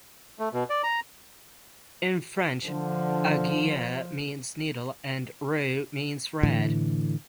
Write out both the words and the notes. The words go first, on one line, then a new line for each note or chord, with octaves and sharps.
In French "aiguille" means "needle" and "rouge" means "red".
A3
B2
D5
A#5
D3 F3
A2 D3 E3